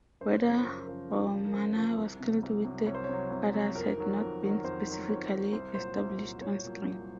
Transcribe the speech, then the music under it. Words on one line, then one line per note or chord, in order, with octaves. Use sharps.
Whether Romana was killed with the others had not been specifically established on screen.
F#2 C5
C#5
C#3 F3
A#4
C5
F#2 A#4
C#3 F3
F#2
C#3 F3
A#4
F#2 C5
C#3 F3
C2
C3 F#3
C2
C3 F#3
C2 C#5
C5
C#5
C3 F#3
C2
C3 F#3
F2 A#4
D#3 F#3
F2
D#3 F#3
F2 C5
D#3 F#3
F2 C#5
D#3 F#3
C2 C5
A#2 F#3 C5
C2
A#2 F#3
C2 C#5
A#2 F#3
C2